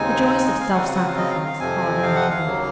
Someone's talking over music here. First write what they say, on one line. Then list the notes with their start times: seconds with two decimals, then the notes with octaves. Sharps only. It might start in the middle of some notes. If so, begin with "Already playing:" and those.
The joys of self-sacrifice are ineffable.
Already playing: D#2 C#3 G#3 C4 D#4 G#5
0.46 D#5
0.60 F5
0.74 C#3 F#3 C4 F4 F#5
0.96 F#5
1.07 F5
1.17 D#5
1.30 F5
1.45 F5
1.59 F2 C3 F3 C4 G#5
2.03 F5
2.16 F#5
2.30 F5
2.45 D#2 C#3 F#3 A#3